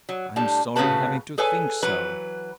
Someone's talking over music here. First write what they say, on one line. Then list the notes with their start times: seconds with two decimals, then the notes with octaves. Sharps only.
I'm sorry having to think so.
0.09 F#3
0.36 A2 G3 D4 A5
0.76 A2 C#3 F4 F#4 B4 A5
1.38 G#4 A4 B4 C#5 G#5
1.82 E3 F#3 B4